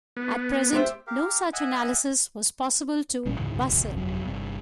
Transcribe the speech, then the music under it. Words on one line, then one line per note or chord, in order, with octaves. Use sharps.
At present no such analysis was possible to Basil.
B3
G4 C5 E5
G4 A#4 F5
D#5 E5 F#5 G#5
A1 A#2 G3 C#4
D2 G#2 C#3 E3
B1 G2 C#3
E1 A#1 E2 C#3
G1 F2 C3 F#3
G1 G2 C3